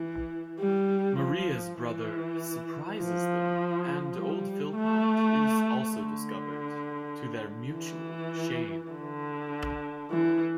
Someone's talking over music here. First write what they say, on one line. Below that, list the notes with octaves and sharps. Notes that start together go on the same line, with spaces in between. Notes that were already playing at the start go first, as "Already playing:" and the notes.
Maria's brother surprises them, and old Philpot is also discovered, to their mutual shame.
Already playing: E3
G3
F3
E3
F3
G3
A3
D3
E3
D3
E3